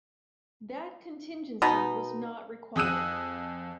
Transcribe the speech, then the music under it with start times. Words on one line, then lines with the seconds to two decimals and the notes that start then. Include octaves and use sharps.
That contingency was not required.
1.62 B2 B3 D#4
2.76 F2 G#4 D#6 E6 F#6 D#7